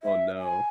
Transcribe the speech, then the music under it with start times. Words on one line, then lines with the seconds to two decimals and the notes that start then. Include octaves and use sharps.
Oh, no.
0.03 E5
0.39 G#5